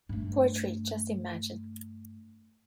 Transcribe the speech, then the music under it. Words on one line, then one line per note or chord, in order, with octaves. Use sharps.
Poetry, just imagine!
G2 A3